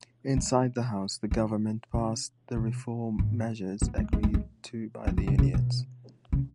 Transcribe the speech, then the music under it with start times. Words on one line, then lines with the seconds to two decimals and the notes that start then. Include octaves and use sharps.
Inside the House, the government passed the reform measures agreed to by the Unions.
0.37 G#3
1.31 D#3
1.94 C#3
2.57 B2
3.19 G#2
3.82 B3
3.98 G#3
4.13 G#3
4.23 G#3
4.34 G#3
5.07 F#3
5.18 D#3
5.27 C#3
5.38 C#3
5.54 B2
6.33 C#3